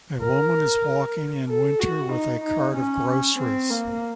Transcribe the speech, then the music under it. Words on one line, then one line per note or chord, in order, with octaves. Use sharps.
A woman is walking in winter with a cart of groceries.
A#4
A4
F#4
D#4
D#4
C#4
C4
A#3